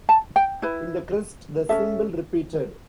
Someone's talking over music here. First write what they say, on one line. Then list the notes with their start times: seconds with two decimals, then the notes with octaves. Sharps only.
In the crest the symbol repeated.
0.09 A5
0.36 G5
0.62 E4 B4
1.69 C#4 F#4 A4 E5